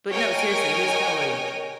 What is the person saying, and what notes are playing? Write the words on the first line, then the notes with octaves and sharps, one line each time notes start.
But, no, seriously, who's Cal Williams?
A#4 C#5 D#5 G5 G#5